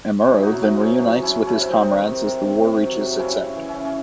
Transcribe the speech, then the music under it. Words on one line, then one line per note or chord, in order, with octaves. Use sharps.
Amuro then reunites with his comrades as the war reaches its end.
F#3 C#4 E4
F#3 D#4 F#4
E4
C3 D#4 F#4
F#3 C#4 E4
F#3 D#4 F#4
F#3
C#4 E4
F#3
C#4 E4
C3
C3 C4 D#4
D#3
C3
C3
C3
C3
F#3
C3
C#3 C#4 E4
C#3
E3
C#4 E4
C#3
C#4